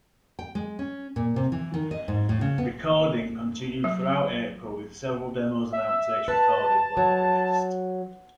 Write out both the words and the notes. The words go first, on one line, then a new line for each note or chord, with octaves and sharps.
Recording continued through April with several demos and out-takes recorded but not released.
G5
G#3
C#4
A#2
C3
E3
D#3
D#5
G#2
A2
C#3
B3
F#3
E5
B4 A5
F#3